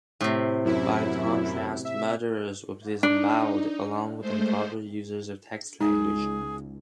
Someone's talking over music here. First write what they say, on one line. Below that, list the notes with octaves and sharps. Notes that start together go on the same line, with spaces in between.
By contrast, murderers would be disembowelled, along with improper users of text language.
A2 C3
F#2 E4
E5
D4 D#4
G#3 A3 C5
C#2 G#3 D#4 G#4